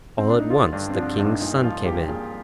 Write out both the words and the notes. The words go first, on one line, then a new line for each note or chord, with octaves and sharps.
All at once the King's son came in.
C4
D4
D#4
D3 F4
G2 D4
C4
F3 D4
G2 D#4
A#2 D#4
F3 F4
A#2 G4
A#2 G#4